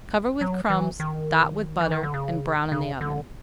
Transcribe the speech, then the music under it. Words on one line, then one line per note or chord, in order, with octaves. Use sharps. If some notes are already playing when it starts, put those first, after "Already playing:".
Cover with crumbs, dot with butter, and brown in the oven.
F#3
E3
D#3
E3
D#3
D3
C#3
C#3
D3